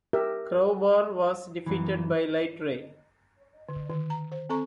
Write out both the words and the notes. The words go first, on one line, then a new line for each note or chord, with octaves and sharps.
Crowbar was defeated by Lightray.
G4 A#4 E5
F#2 E3
D3
D#3
A#5
C5
C4 A4 A#5 C#6